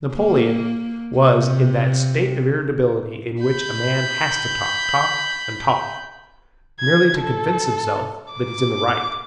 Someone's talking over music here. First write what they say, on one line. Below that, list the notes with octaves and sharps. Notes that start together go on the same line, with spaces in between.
Napoleon was in that state of irritability in which a man has to talk, talk, and talk, merely to convince himself that he is in the right.
A#3
C3
B5 G6
G#6
A4
D6